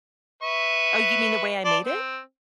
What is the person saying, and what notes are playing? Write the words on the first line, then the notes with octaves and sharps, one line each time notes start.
Oh, you mean the way I made it?
B4 E5 C#6
D5 A5 C6
C4